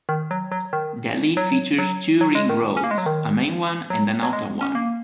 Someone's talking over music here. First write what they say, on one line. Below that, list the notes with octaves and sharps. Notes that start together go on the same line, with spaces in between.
Delhi features two ring roads, a main one and an outer one.
D#3
F#3
F#3
D#3
F#3
F#3
F#3
G#3
D#3
C#4
A#3
G#3
F#3
D#3
F#3
F#3
G#3
C#4
A#3